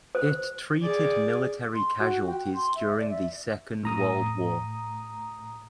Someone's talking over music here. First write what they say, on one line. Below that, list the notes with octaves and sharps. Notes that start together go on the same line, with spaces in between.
It treated military casualties during the Second World War.
C5
G#4 D5
C6
F#4
G5
C6
E5
D5
E5
A2 A#5 D#6